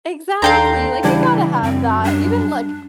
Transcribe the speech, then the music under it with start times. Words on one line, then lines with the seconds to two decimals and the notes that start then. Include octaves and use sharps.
Exactly like you gotta have that even like.
0.42 D#2 D4 A4 F5 G5 A#5 C6
1.04 C#3 E3 G3 D4 E4
1.63 F#2 C4
2.04 G3 D4